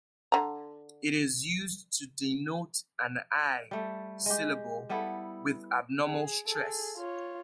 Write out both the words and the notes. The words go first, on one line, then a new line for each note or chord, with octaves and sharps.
It is used to denote an "i" syllable with abnormal stress.
D3 A#5
G3 A3
G#3 G4
G3 B3 E4 A4
G#4
G#4 A4
F4 C#5